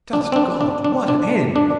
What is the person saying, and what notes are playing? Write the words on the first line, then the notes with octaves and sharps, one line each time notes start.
Just God, what an end!
D4
C4
D4
D4
D4
D4
D4